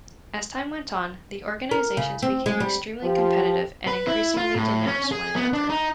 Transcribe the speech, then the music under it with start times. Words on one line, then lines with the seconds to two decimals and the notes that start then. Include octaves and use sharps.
As time went on, the organizations became extremely competitive and increasingly denounced one another.
1.71 A#4
1.97 C#3
2.22 C4
2.46 G#3
2.60 G3
3.03 F3 G4
3.87 B4
4.07 E4
4.37 F4
4.55 A2
4.86 C#4
5.11 G#4
5.36 B3
5.53 D4
5.69 D#4